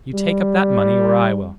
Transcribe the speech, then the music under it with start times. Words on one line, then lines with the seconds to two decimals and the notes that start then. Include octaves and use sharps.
You take up that money, or I will.
0.14 G3